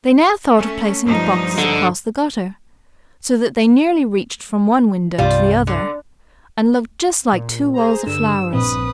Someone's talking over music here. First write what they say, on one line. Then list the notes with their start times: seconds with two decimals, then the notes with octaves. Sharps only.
They now thought of placing the boxes across the gutter, so that they nearly reached from one window to the other, and looked just like two walls of flowers.
0.58 A3 C#4
1.05 G2 F3 D#4
1.58 D3
5.18 C2 G2 C3 G3 F4
5.67 D3
7.33 A#2
7.74 G#4 C5 A#5
8.06 G2 D3 E6
8.53 A#1 C4 B4 D#6